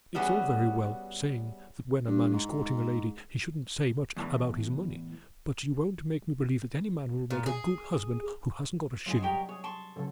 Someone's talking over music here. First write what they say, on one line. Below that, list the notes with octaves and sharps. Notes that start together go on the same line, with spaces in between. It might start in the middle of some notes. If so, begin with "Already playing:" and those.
It's all very well saying that when a man is courting a lady, he shouldn't say much about his money; but you won't make me believe that any man will make a good husband who hasn't got a shilling.
E3 G3 B3 C#4 F#4 G#4
G2
G#2
E2 A2 E3
A#2
G#4
F#3 G#3 E4 C5 D#5 G#5
G3 G4 G#4 A#4 C#5
G#4 C#5
A5 C6 C#6
C#3 F#3 A4